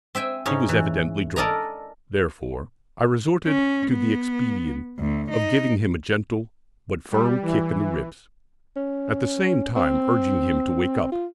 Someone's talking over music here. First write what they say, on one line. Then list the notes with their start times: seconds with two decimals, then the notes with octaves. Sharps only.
He was evidently drunk, therefore I resorted to the expedient of giving him a gentle but firm kick in the ribs, at the same time urging him to wake up.
0.15 C4 E5 G5 G#5
0.46 G#2 C#4 D#4 C#5
0.69 E3
1.36 A4 A#4 D5 D#5 G#5 A#5
3.46 C#4
3.92 B3
4.99 D2
5.30 D#4
7.11 G3
7.42 E3
8.76 C#4
9.76 C4
11.12 F4